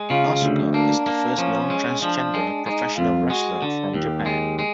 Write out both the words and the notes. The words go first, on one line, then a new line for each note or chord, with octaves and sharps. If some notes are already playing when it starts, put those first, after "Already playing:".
Asuka is the first known transgender professional wrestler from Japan.
Already playing: G#3
C#3 F4
D2
A#3 D4
A#3
F3 C#4
G#3
F3 D4
G#3
G#3 D#4
F2 F4
G#3 F#4
D3
D#2 G4
G#3
G#3